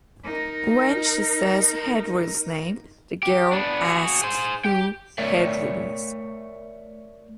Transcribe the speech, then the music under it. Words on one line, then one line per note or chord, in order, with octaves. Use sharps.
When she says Hedril's name, the girl asks who Hedril is.
D#4 A#4
G4
B3 D4
F#4 G#4
G#4 C5
G4 G5
A3 A#4 C#5 D5 E5